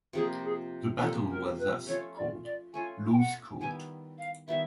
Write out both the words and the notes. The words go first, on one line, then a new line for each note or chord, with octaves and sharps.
The battle was thus called "Lose-coat".
C3 F3 A#3 G#4
G#4
C3 F3 A#3 A4
A#4
B4
A3 C#4 F4 C#5
D5
D5
A3 C#4 F4 G#5
G5
F#5
D#3 G3 B3 E4 G#5
F5
D#3 G3 B3 E4 E5